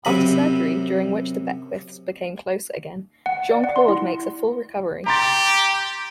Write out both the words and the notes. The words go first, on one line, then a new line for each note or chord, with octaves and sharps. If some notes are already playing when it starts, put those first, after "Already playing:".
After surgery, during which the Beckwiths become closer again, Jean-Claude makes a full recovery.
F#2 C3 B5
F#5
D5
F#5
C6
E4
G4 A#5 C6 A6